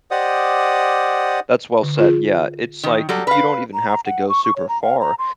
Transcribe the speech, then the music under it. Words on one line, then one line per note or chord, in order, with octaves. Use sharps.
That's well said, yeah. It's like, you don't even have to go super far,
G4 C5 D5 D#5 F#5 D#6
D3
F4 G#4
D#3
F#3 G3 A4
B4 F5
A#5
A#5
F#5
C#6
C#6
C#5
A#5
F5
A#5
C6